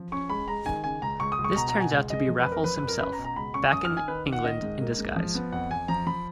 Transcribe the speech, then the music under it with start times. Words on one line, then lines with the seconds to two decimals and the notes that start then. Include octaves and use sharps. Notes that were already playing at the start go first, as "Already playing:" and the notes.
This turns out to be Raffles himself, back in England in disguise.
Already playing: F3
0.12 C#4 C#6
0.29 G#3 B5
0.48 G#3 A#5
0.66 D#3 G#5
0.84 C#3 G#5
1.02 C#2 A#5
1.20 C#2 C#6
1.32 D#6
1.38 C#2
1.44 C#6
1.56 B2 A#5
1.68 A#5
1.74 B2
1.80 G#5
1.92 C#2
2.10 G#3 D#5
2.28 F3
2.40 B4
2.46 F2
2.52 A#4
2.64 F3 B4
2.76 B4
2.82 F2
2.88 A#4
3.00 C#4 B4
3.12 A#5
3.18 B2
3.24 A#5
3.36 C#2 B5
3.54 C#4 C#6
3.72 F#2 D#6
3.85 F6
3.91 D#3
3.97 G#5
4.08 D#3 B4
4.26 D#3
4.32 F#5
4.45 D#3 D#5
4.62 G#2
4.81 A#3
4.98 G#2
5.16 F3
5.35 B3
5.52 F2 F#5
5.70 F2 G#5
5.88 F3 A#5
6.07 F3 B5